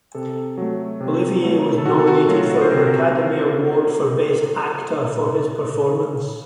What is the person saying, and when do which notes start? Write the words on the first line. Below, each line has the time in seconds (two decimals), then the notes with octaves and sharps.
Olivier was nominated for an Academy Award for Best Actor for his performance.
0.15 C3 A4
0.57 F#3 A3
1.00 C3
1.43 F#3 A3
1.78 A4
1.85 C3 F#4
1.99 A4
2.07 F#4
2.28 F#3 A3 F4
2.50 F#4
2.61 C5
2.71 C3 A#4